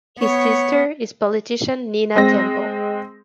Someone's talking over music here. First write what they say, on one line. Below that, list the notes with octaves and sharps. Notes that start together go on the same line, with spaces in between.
His sister is politician Nina Temple.
B3 C#5
G#3 C4 A#6